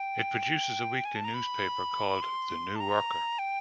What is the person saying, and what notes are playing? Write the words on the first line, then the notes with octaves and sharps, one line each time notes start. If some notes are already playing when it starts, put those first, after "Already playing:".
It produces a weekly newspaper called "The New Worker".
Already playing: G5
G#5
A5
A#5
B5
C6
A5
A#5
G5